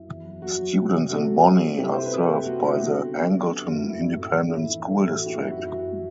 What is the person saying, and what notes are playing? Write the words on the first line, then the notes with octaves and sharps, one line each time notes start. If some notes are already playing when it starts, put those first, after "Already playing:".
Students in Bonney are served by the Angleton Independent School District.
Already playing: F#2 E4
E2
F#3
F#3 F#4
F#3
C3
C3
C3 F#4 A4
F#3
G3
C4
C3 E4 G4
C3 C5
B4
C4
A4
C3 G4
G3 F#4
C3 E4
B3 F#4
D3
B3
F#3
D3
F#2
F#2 E4
F#2 E4
A2
E3
A2 E4
E3
A3
A2
A2 F#4
E4 G4
C4 F#4
E4
F#2 F#4
E4
F#2 F#4